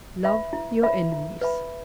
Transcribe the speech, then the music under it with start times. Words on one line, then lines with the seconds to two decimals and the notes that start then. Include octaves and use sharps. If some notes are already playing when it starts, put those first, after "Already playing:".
Love Your Enemies.
0.24 B4 E5 B5
0.53 E4
0.82 B4 E5 B5
1.12 E4
1.42 B4 E5 B5